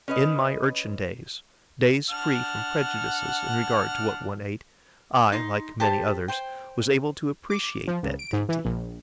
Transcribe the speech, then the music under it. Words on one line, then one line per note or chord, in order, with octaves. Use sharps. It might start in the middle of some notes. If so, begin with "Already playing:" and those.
In my urchin-days, days free from prejudices in regard to what one ate, I, like many others, was able to appreciate that dainty.
C#4 B4 D#5
D4 F#5 F6
D#4 C6
G4 C5 A5
C5 G5
D6
F3
C#2
D7
G#2
E3
A#1